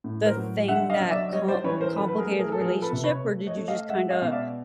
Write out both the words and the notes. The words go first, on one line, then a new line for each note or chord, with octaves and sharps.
the thing that com complicated the relationship or did you just kinda
A2
A#4 C5
F#3
D3 E5 F#5
D#5 F5
F#3
D5 E5
G3 C#5 D#5
C5 D5
E3 B4 C#5
A#4 C5
F#3 A4 B4
B4
G#4 A#4
A3
G#4 A#4
A4
F3 G#4 A#4
A4 B4
C3
B4 C#5
A3
C#5 D#5
A3
D#5 F5
G#3 E5 F#5
D#5 F5
B2 F5
D5 E5